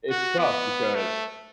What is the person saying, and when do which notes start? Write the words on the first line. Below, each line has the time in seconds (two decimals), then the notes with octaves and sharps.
it's tough because,
0.10 F#4
0.38 B3
0.95 A3